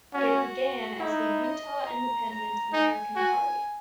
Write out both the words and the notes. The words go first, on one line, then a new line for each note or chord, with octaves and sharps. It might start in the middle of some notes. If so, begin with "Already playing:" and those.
It began as the Utah Independent American Party.
C#4 F#4
D#4 E4
D#5
A#5
A#5
D#4 G#5
F#4 G#5